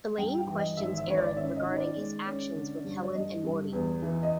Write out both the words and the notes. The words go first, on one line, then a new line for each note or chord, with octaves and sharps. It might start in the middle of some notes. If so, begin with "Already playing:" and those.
Elaine questions Aaron regarding his actions with Helen and Morty.
G2 G5
G5
E3
D#5
G#1 E5
E5
G#1 C#5
D5
C#4 E5
D#5
D#3
D5
G#3
C#4
D3
G2
D5
G2 D#5
G2
E2
E3
D#5